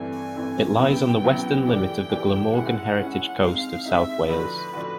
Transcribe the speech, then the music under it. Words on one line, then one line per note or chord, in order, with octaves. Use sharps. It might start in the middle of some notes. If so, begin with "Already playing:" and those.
It lies on the western limit of the Glamorgan Heritage Coast of south Wales.
Already playing: G2 E3 A3 C4 G#5
G2 E3 A3 C4
C#3 F#3 B3 E4 G5
C#3 F#3 B3 E4
E3 A3 D4 G4 G5
E3 A3 D4 G4
G#3 C#4 E4 F#5
G#3 C#4 E4
G#3 C4 D#4 F5
G#3 C4 D#4 E5
D3 F3 A3 D4 F#4 B4
D3 F3 A3 D4 F#4